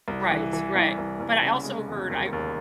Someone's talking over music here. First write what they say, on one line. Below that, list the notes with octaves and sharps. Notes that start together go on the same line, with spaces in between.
Right right. But I also heard I
C2
E3
E3
C2
C2
C2
C#3
G#3
E1
D#2
D#2